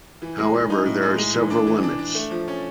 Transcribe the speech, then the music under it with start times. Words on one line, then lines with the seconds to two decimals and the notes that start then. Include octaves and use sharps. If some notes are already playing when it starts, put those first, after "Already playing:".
However, there are several limits.
0.22 E3
0.38 G#3
0.54 E3
0.70 D#4
0.86 A2
1.02 G#3
1.19 G#3
1.34 E3
1.50 D4
1.67 E3
1.83 D4
1.99 D4
2.15 A3
2.31 F3
2.48 C#4